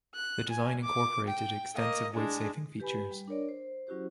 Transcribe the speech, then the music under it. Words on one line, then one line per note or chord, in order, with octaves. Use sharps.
The design incorporated extensive weight saving features.
F#6
G#5
D6
G5
A#3 D#5
G#3 D4
G4 B4 G#5 B5
G3
D4 A#4 C#5 D5
C5
F#3 C#4 E4 F#4 G4 C5